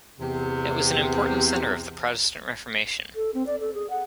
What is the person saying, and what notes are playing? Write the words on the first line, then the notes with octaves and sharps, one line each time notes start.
It was an important center of the Protestant Reformation.
E2 C3
A4
C4
D5
A4
G#4
F#5